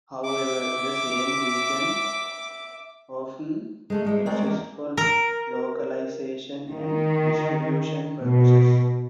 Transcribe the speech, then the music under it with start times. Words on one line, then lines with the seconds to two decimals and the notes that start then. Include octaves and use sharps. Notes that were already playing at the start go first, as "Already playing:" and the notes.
However, the same regions often exist for localisation and distribution purposes.
0.25 E5 D6
3.90 G#3 A3 A4
4.05 G3 G#3 E4
4.26 G#3 A#3 C4 F#4 D5 G5
4.43 E2 A#3
4.97 A#4
6.71 D#3
8.21 B2